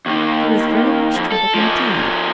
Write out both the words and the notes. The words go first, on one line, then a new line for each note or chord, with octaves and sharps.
He was very much troubled, indeed.
D#2 D#3
F2
A4
F3 C#4